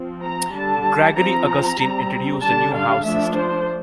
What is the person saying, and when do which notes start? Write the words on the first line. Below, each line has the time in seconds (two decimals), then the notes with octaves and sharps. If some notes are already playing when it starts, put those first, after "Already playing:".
Gregory Augustine introduced a new House System.
Already playing: F3 C4
0.23 A#5
0.54 D3 G3 D4 A5
1.17 F3 C4 A#5
1.80 G3 C4
2.42 D3 G3 D4 A5
2.74 F5
3.05 F3 A3 D4 E5
3.37 C5